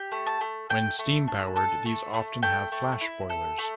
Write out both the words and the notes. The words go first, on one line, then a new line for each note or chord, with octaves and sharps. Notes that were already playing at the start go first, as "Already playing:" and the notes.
When steam-powered, these often have flash boilers.
Already playing: G4
A3
A5
A3
A3 G5
A3
D4
A4 A5
A3
A3
A3 G5
A3
E4
A4
A3